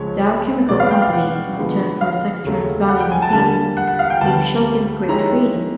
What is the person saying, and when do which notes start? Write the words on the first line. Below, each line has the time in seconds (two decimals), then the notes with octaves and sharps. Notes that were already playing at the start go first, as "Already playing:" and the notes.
Dow Chemical Company, in return for Zectran's valuable patent, gave Shulgin great freedom.
Already playing: C#2 C#3 F3 G#3 C#4 C#5
0.69 B2 G#3 B3 D5
0.80 F5
0.91 G5
1.02 F5
1.13 F#5
1.57 D3 F3 G#3 B3
2.01 F5
2.44 D#2 C#3 F#3 A3
2.89 F#5
3.00 G5
3.11 G#5
3.22 A5
3.33 D3 G3 A#3 A5
3.77 F#5
3.88 F#5
3.99 F5
4.10 G5
4.21 D2 D3 G3 B3 A5
5.09 D#3 G#3 C#4 E4 G4 A#5